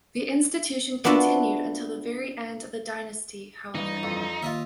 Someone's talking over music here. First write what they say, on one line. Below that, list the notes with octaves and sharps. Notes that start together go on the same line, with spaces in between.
The institution continued until the very end of the dynasty, however.
B3 D4 F4 F#4 E5 A5
G2 E3 D#4
F2
D#2 F4 D#5 E5